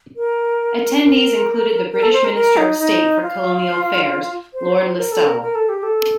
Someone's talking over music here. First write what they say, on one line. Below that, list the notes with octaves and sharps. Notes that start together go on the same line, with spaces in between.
Attendees included the British Minister of State for Colonial Affairs, Lord Listowel.
A#4
A#4
A#4
A4
C5
A#4
A#4
D#4
D#4
F4
C5
A#4
A4
A#4
A#4
A4
G4
A4